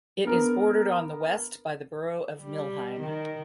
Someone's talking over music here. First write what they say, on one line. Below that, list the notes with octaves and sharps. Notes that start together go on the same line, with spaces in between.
It is bordered on the west by the borough of Millheim.
B3 D4 A#4
G3
D#3